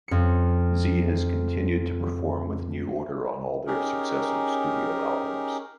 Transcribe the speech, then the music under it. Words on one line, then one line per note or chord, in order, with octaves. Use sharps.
Zee has continued to perform with New Order on all their successive studio albums.
F2 C#7
C#4 D#4 G4 G#4 A#4